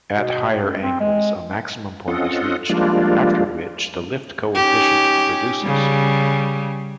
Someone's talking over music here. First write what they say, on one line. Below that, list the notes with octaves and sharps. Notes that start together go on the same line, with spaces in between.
At higher angles a maximum point is reached, after which the lift coefficient reduces.
B2
A2
F#2
C4
G#3
C4 C#4 F4 A4 D#5 F#5
F3 G3 G#3 A#3 D4 F4
C#4 D#4 G4
C#3 G3